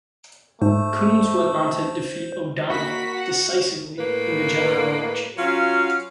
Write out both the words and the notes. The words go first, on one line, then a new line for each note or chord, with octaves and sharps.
Coons went on to defeat O'Donnell decisively in the general election.
G#2 A3 C5
A#3 F#4 B5 B6
F#5
A2 A#3 B4
F#3 C#4 F4 F5